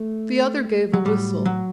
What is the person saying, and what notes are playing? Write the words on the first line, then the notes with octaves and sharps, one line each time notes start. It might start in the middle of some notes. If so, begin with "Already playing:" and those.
The other gave a whistle.
Already playing: A3
F#3
A2 F#3 G3
F#3